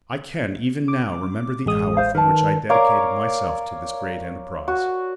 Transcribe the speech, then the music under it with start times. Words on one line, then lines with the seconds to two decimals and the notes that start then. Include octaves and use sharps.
I can, even now, remember the hour from which I dedicated myself to this great enterprise.
0.88 D6
1.66 A1 G#3 D#6
1.97 C5 F5
2.15 D#3 A#4 B4 A5
2.70 A#4 C#5 D5 F5
4.68 F#4